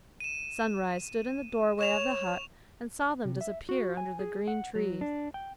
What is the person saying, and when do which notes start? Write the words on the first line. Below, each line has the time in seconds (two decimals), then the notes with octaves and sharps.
Sunrise stood in the doorway of the hut, and saw them disappear under the green trees.
0.20 D#7 E7
1.79 C#5 C#6 E7 F7
3.25 C3
3.41 E5
3.69 F#4
3.97 G#5
4.19 G#4
4.48 F#5
4.75 F#3
5.01 D4
5.34 G5